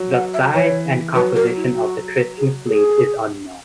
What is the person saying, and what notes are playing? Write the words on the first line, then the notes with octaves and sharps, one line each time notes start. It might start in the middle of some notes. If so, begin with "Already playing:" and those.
The size and composition of the Christian fleet is unknown.
Already playing: F#3
F#5
E5
E3 C#5
F#3 B4
A#4
E4
F#4
G#4
G#4